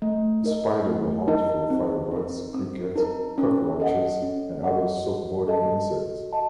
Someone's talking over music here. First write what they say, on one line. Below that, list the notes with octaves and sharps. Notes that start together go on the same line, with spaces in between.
The spider will hunt for firebrats, crickets, cockroaches, and other soft-bodied insects.
A3
D#4 A#4 D#5
A3
D#4 A#4 D#5
C4
D#4 A#4
C4
D#4 A#4
C#4
A4 D#5 F#5
C#4
A4 D#5 F#5
F#4
A4 D#5 A5
F#4
D#5 A5